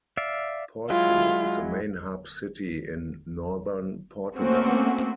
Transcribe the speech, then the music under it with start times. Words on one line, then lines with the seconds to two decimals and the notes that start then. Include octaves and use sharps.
Porto is the main hub city in northern Portugal.
0.17 D5 E5 F5
0.90 F#3 G#3 E4 F4
4.36 A3 A#3 C4 C#4 F#4